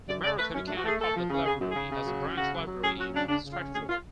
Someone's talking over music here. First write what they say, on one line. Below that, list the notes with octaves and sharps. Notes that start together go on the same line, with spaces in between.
The Marathon County Public Library has a branch library in Stratford.
F#2 D5
C#3 D5
A3 B4
F#2 C#4
D4
A3
F#4
A3 G#4
A3 A4
F3
C#3
C#3 G#4
F#2
G#4
C#3
C#3
F#3
C#4
C#3 F#4
F#3
F#3
C#4 G#4
F#3 F#4
C#3 D4
C#3 D4
C#3
F4
C#4
D2 G#4
F4